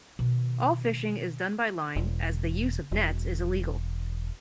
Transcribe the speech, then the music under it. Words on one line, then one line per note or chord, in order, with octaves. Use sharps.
All fishing is done by line as the use of nets is illegal.
B2 D#3
E1
E1